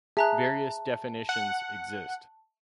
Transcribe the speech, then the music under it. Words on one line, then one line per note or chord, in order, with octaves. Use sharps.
Various definitions exist.
G#4 E5 A5 A#5 F#6
F#5